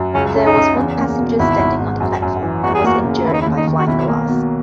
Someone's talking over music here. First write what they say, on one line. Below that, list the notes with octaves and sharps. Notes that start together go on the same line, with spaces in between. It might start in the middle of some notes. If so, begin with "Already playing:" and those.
There was one passenger standing on the platform and was injured by flying glass.
Already playing: F#2
C#2 C#4
C#4
D#4
C#3
E2
A#3
B2
G#1 E4
G#1
G#2
F#2
F#2
E3
E2 F#4
G#4
A#3 F#4
C#3
D#2 E4
D#4
E4
D#2
D#4
D#3
F#4
B1 E4
A#3
B2